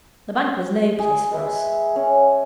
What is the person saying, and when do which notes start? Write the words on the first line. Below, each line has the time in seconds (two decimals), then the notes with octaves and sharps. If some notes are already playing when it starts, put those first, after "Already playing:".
The bank was no place for us.
0.99 G#4
1.31 G#3 B4 E5
1.96 C#4